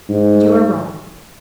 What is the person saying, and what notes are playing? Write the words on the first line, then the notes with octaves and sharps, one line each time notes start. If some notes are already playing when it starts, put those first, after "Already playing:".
"And you are wrong."
G#2